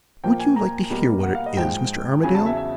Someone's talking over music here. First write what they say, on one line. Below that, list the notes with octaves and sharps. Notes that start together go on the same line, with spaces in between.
"Would you like to hear what it is, Mr. Armadale?"
A#2 F3 A#3 G5
G#5
A#5
B2 G3 A#3
F#5
F5
D#5
G#2 F3 G#3 G5
E2 C#3 F#3 G#5
A5
E5
E5